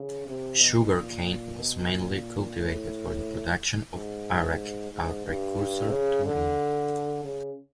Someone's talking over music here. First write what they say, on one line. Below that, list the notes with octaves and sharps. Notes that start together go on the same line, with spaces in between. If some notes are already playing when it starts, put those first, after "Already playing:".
Sugar cane was mainly cultivated for the production of "arrack", a precursor to rum.
Already playing: C#3
C3
B2
A#2
B2
A#2
A2
G#2
G#2
G2
C#3
D3
C#3